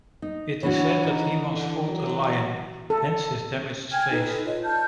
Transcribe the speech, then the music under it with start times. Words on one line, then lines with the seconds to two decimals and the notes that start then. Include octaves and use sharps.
It is said that he once fought a lion, hence his damaged face.
0.22 D#4
0.63 E3 D4 F#4 C#5
1.04 D#4
1.52 D3
1.89 F#3
2.90 A4
3.92 G5 G#5 F6 G#6
4.11 D#4 A4 B4
4.45 F4 C#5 D#5
4.64 D5 A5 F6 G6